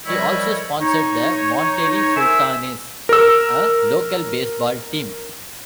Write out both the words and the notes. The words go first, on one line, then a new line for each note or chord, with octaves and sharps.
He also sponsored the Monterrey Sultanes, a local baseball team.
D#3 F3 G3 E4 C#5 D#5
D#4 C#5
A#4 C5 E5 G#5 E6
A#4 E6